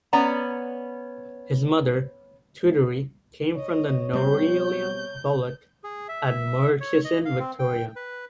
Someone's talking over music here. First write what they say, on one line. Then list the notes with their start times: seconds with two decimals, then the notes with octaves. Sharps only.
His mother, Tooterrie, came from the Nourailum bulluk at Murchison, Victoria.
0.13 B3 C#4 D5 F#5 A#5
3.55 C#5 D#5
4.13 B2 G3 C4 G6
5.84 G#4
6.09 E5
6.80 C#5
7.05 D#5
7.25 F5
7.40 C4
7.59 G5
7.96 B4